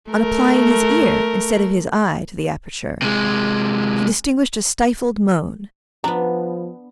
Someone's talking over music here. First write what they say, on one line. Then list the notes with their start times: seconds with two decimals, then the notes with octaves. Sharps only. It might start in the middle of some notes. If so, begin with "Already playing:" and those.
On applying his ear instead of his eye to the aperture, he distinguished a stifled moan.
0.11 A3 A#4
3.02 C3 G#3
6.04 F3 B3 D4 A#5